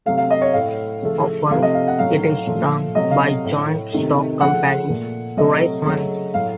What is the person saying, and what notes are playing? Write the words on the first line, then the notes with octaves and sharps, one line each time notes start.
Often it is done by joint stock companies to raise money.
C3 F#3 A3 F5
F5
D#5
C#5
A2 A3 F5
C#3 F3 A3
C3 F3 A3 F5
D#5
F5
F#5
A2 F#3 A3 F5
A#2 F3 A3
C3 F#3 A3 D#5
F5
A2 A3
C3 D#3 A3
C#3 F3 A3 F#5
A#2 A3
C3 F#3 A3 D#5
C#3 F#3 A3
A2 F#3 A3 F5